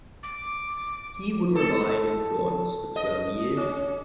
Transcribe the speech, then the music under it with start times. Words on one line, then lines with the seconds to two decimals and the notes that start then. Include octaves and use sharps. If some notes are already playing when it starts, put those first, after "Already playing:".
He would remain in Florence for twelve years.
0.23 D6
1.55 A4
2.96 D#5
3.57 C#4